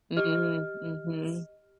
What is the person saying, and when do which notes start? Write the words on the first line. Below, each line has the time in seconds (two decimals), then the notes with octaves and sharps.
Mhm, mhm.
0.17 G4 D#5 F6